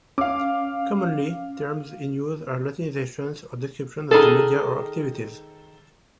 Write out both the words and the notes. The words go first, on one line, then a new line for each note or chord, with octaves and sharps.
Commonly terms in use are Latinisations or of descriptions of the media or activities.
C#4 F5 D6
D#3 D#4 G#4 A4